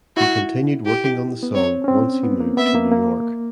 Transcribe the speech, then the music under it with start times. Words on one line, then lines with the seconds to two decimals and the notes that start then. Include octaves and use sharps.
He continued working on the song once he moved to New York.
0.16 E4 F#4
0.85 G4
1.43 B3
1.54 C4 C#5
1.84 C#4
1.88 C4
2.23 B3
2.40 A#3
2.57 B3 E5
2.75 A#3
2.91 A#3